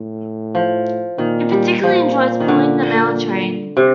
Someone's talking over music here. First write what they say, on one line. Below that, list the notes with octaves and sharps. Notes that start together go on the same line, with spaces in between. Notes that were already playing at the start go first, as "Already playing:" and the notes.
He particularly enjoys pulling the mail train.
Already playing: A2
F3
A#2 D#3
G3
A#2 F3
D#3
D3
C3